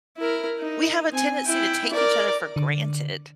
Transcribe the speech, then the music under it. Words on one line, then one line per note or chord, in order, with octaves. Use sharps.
we have a tendency to take each other for granted,
E4 A#4
D#4
C4 G#5
E4 G5
A#4 D5
D3